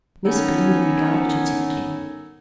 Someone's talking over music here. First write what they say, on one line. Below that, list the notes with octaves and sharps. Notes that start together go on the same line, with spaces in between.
Miss Belinda regarded her timidly.
D#3 B3 C#4 D#4 A4 C#5